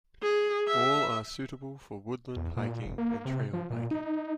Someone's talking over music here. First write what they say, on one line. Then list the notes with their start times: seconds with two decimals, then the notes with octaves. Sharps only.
All are suitable for woodland hiking and trail biking.
0.23 G#4
0.68 E5
2.36 E2
2.57 A#2
2.85 F1
2.98 A#3
3.25 C3
3.53 F3
3.70 A#2
3.91 D#4